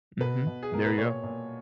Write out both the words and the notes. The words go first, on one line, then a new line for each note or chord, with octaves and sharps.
Mhm. There you go.
B2 B4
B2
G#4
B2 A#4
B4
A#2 C#5
A#2